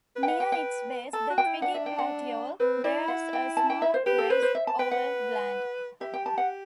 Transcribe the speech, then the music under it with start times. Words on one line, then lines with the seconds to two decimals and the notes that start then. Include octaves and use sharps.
Near its base, the twiggy petiole bares a small, raised, oval gland.
0.16 B4
0.23 G5
0.28 F#5
0.40 G5
0.52 G5
1.13 A4 A5
1.30 F#4
1.38 G5
1.46 E4
1.62 D4 F#5
1.74 E5
1.86 G5
1.98 F#5
2.60 C4 B4
2.84 E4 D5
3.08 F#5
3.33 G5
3.57 A5
3.70 G5
3.82 E5
3.94 C5
4.06 G4 B4
4.18 A4
4.30 B4 C5
4.42 C5
4.55 E5
4.67 A5
4.79 B4 G5
4.91 F#5
6.01 G4 E5
6.14 G5
6.26 A5
6.38 F#5